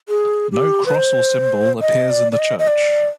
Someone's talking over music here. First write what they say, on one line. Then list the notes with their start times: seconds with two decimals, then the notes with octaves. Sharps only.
No cross or symbol appears in the church.
0.09 G#4
0.52 G4
0.86 B4
0.95 C5
1.81 D#5
2.10 D5
2.32 D5
2.39 D#5
2.59 D#5
2.67 D5